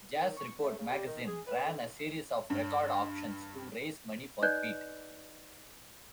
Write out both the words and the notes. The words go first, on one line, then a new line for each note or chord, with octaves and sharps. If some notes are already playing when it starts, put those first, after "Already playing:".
"Jazz Report" magazine ran a series of record auctions to raise money for Pete.
D#3
C#6
A3
C#3
G3
D#3
G#4
B4
D3
C2
G2
D#4 B4 D5 D#5 F#6 G6